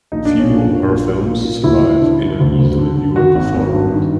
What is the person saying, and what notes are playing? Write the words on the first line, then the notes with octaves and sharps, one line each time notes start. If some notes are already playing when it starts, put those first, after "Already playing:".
Few of her films survive in an easily viewable format.
A#1 D#4
D4
A#1
C#4
A#2 D4
A#2
A#1
A#1
A#2
A#2
D2 E4
D2
D3
D3
D2
D2
D3
D3
D#3 F#4
G#1
G#1
G2
D#3